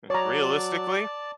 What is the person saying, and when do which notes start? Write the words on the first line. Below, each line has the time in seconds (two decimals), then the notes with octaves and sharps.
Mm. Realistically?
0.10 F#3 C#5 D5 A5 A#5